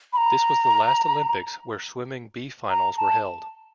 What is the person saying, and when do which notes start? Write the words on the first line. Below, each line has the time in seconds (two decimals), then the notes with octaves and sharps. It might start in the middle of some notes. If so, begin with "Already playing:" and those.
This was the last Olympics where swimming B-finals were held.
0.13 B5
0.17 A#5
2.70 A#5
2.97 A5